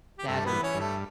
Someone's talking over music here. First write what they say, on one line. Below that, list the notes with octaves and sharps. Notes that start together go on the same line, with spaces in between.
That or,
G4
G2 A3 A4
B3 B4
E3
C#4 C#5
G2
A3 A4